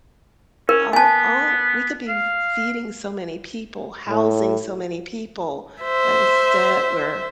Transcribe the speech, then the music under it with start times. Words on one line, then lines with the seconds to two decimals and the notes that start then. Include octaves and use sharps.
all all we could be f feeding so many people, housing so many people, but instead we're
0.69 C#4 A#4
0.93 B3 G#5 A5
2.09 F5
4.08 A2
5.82 C5 E5